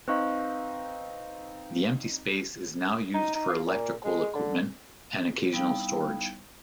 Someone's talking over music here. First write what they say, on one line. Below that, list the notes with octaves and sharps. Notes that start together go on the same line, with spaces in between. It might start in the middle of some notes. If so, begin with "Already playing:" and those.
The empty space is now used for electrical equipment and occasional storage.
C4 D#4 B4 D#5 F5 C#6 F#6
D#4
D#4
F4
A#2
G#3
D3
G3 B3 D#4 E4 F5 G5